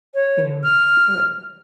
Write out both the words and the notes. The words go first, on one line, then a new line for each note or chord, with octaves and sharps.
You know, that would
C#5
F6